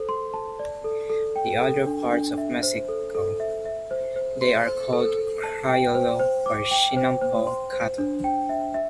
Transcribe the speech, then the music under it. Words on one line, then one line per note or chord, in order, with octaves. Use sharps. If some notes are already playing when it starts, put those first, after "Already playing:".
In other parts of Mexico, they are called "Criollo" or "Chinampo" cattle.
Already playing: A4 C5
C6
A5
D5
A4
A4
G5
A4
D4
D4
E5
C5
A4
A4
E5
E5
C5
C5
C6
C5
A4
A4
A5
G5
C5
C5
D6
G5
C5
C5
C6
C5
D4
G5
E5
E5